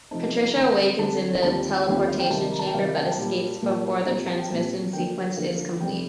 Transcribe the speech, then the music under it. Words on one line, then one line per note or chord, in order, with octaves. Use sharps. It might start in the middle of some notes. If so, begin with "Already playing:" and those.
Patricia awakens in the teleportation chamber but escapes before the transmission sequence is complete.
C3 F3 A3 C4 D#4 A5
D3 A3 C4 A#5
D3 A3 C4 A5
D#2 D3 G3 C4 F4 A5
D#2 D3 G3 C4 F4 G5
F5
F5
G5
C3 D#3 G3 A5
A#5
A5
G5
C3 D#3 G3 F5
A5
G5
A5
A#2 G3 A#3 F4
A#2 G3 A#3 F4
A#2 G3 C4 F4 A#5
A5
G5
A#2 G3 C4 F4 A5
D3 F3 A#3 D4 G5
D3 F3 A#3 D4 F5
F2 C3 G3 C4 G5